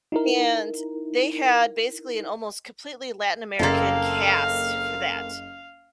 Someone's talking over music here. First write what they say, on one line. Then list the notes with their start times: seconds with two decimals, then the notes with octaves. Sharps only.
And they had basically an almost completely Latin American cast for that.
0.12 D#4 E4 A#4
3.59 F#1 A#3 C4 A4 F5